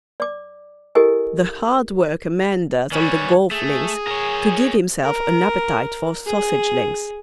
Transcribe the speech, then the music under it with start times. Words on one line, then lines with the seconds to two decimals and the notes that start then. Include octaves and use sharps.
The hard work a man does on the golf links to give himself an appetite for sausage links.
0.20 D5 D6
0.95 E4 G4 A4 A#4 D#5 G#5
2.92 D#3 G3 B4 C#5 G#5
3.51 A3 G#4
4.07 A#4 C#5
5.02 A#4
6.26 G#4